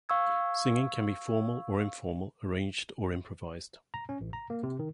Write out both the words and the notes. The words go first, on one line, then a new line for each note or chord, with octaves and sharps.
Singing can be formal or informal, arranged or improvised.
F5 C#6 E6 G#6
A#5
C#4
A1
A#5
A#3
C3
D#3